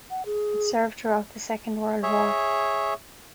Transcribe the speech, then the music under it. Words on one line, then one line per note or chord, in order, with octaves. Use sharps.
It served throughout the Second World War.
F#5
G#4
G#4 C#5 E5